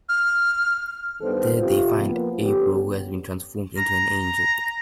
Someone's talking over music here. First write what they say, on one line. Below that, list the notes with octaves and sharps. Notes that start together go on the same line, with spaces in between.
There they find April, who has been transformed into an angel.
F6
G2 D#3 B3 A4 C5
C3 F4 G4
F3 A#3 B3
D3 B3 C#4 G4
A#5